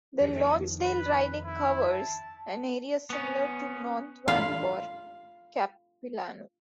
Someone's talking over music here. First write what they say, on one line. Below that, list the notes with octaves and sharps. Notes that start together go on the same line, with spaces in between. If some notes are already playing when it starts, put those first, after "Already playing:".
The Lonsdale riding covers an area similar to North Vancouver-Capilano.
F2 D#3
B4
E4
A5
B3 C#4
F4 F5 B5